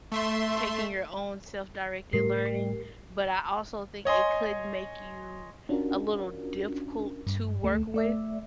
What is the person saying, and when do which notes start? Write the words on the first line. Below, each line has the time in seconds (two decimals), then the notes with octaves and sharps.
taking your own self-directed learning, but I also think it could make you a little difficult to work with
0.12 A3 E5 C6
2.13 A2 G3 A3 G4 A#4 C7
4.05 C#5 D#5 G#5 C6
5.69 C#4 D4 F4 F#4 A#4
7.27 G2
7.64 D2 A3
7.94 A3 D5 E5